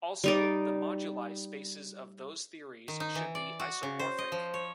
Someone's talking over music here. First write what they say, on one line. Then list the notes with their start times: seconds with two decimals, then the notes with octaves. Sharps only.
Also, the moduli spaces of those theories should be isomorphic.
0.24 G3 D#4 D5
2.88 D#3
3.00 D#4
3.15 E3
3.35 D5
3.59 F#4
3.83 C#3
3.99 C5
4.18 D#5
4.32 F3
4.54 C#5